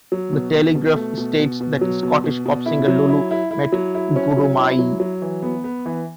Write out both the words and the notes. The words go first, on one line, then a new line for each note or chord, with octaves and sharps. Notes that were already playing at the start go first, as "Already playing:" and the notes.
The Telegraph states that Scottish pop singer Lulu met Gurumayi.
F#3
B2
B2
B2
A3
B2
B2
B2
F#3
B2
B2
B2
E4
F#3
E4
E4
E4
F#3
E4
C#4
F#3
E4
F#3
F#3
E3
B3
B3
E3